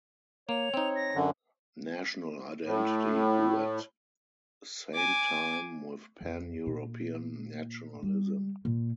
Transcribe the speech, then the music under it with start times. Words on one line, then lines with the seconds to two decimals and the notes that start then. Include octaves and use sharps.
National identity grew at same time with Pan-European nationalism.
0.49 A#3 C#5 F7
0.74 C4 D#4
0.95 A#6
1.15 F#2 D3
2.64 A2
4.95 G#5 D6
6.21 F2
6.66 A#2
8.03 G3
8.65 A#2